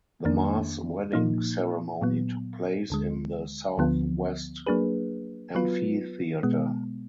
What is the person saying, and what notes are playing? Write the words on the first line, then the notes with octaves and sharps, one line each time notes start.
The mass wedding ceremony took place in the Southwest Amphitheater.
F2 D#3 A#3 D4
A#2 F3 A#3 D#4
A#2 F#3 B3
D2 D3 G#3
D2 D3 F3 B3
F#3 A#3 D4 G#4 B4
F#3 B3 F4 B4
B2 G#3 B3